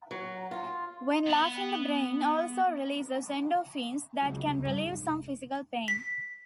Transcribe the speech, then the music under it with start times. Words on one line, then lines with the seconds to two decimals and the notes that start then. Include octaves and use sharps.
When laughing the brain also releases endorphins that can relieve some physical pain.
0.11 F#3
0.51 F4
1.26 B3 B5
4.22 C#2 F#2
4.47 C#2
4.65 G2 C#4
4.79 G#2
4.93 F1
5.88 B6